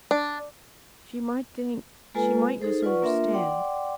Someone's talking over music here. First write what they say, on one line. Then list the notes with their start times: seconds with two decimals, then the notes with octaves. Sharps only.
She might think--she might misunderstand.
0.11 D4
2.15 G#3 A#3 F4 A4 B4 G#5
2.62 D#4 G#4 A4 C5
2.83 F4 B4 D5 F#5 C#6
3.02 A#3 D4 F4 A#4 E5 C6
3.32 D5 F#5 G5 C6 D6